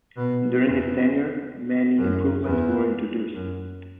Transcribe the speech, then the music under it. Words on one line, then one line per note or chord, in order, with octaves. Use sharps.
During his tenure many improvements were introduced.
B2
E2
F#2
E2
F#2